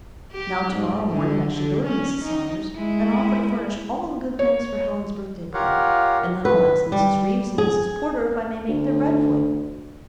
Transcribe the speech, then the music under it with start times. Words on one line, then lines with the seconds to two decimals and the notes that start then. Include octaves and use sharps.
Now, tomorrow morning I shall go to Mrs. Saunders and offer to furnish all the good things for Helen's birthday party, and then I'll ask Mrs. Reeves and Mrs. Porter if I may make their bread for them.
0.32 G4
0.73 G#2
1.11 D3
1.54 D3
1.83 C#4
2.24 D#4
2.76 G#3 E4
4.39 C#5
5.54 F4 G4 A#4 C#5 F5 F#5
6.45 B4
6.92 G3
7.58 G#4
8.68 D2